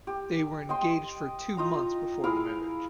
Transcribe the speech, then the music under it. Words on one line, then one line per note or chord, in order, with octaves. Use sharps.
They were engaged for two months before the marriage.
G4
D#5 G5 C6
D#4 F4 A#5
E4 G#4 A#4 F5